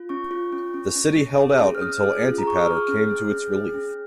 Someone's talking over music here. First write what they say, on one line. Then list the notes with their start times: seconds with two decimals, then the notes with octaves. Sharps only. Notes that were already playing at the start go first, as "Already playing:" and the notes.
The city held out until Antipater came to its relief.
Already playing: F4
0.09 C#4 C#6
0.31 F4
0.52 C#4
0.74 C#4
0.95 C#4
1.16 C#4
1.38 G#4
1.60 C#4
1.75 F6
1.82 C#4 D#6
2.03 G#4
2.24 F4
2.38 A#5
2.45 G#4 C#6
2.57 D#6
2.66 G#4 F6
2.88 C#4
3.10 G#4
3.31 C#4
3.53 G#4
3.74 C#4